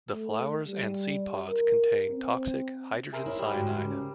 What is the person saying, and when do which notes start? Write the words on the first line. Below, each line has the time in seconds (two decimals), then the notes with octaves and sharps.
The flowers and seed pods contain toxic hydrogen cyanide.
0.12 A3
0.68 G3
1.50 A#4
2.11 C4
3.13 G#4 A#4 C5 E5
3.26 E4 C#5
3.39 G3
3.52 D2 G#2 F#4
3.81 C#3